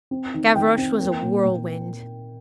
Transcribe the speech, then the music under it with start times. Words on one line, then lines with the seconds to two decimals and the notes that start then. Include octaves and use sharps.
Gavroche was a whirlwind.
0.11 C4
0.34 D#3
0.56 D#3 G5
0.78 C4
1.00 A#3
1.22 A#2
1.45 A#2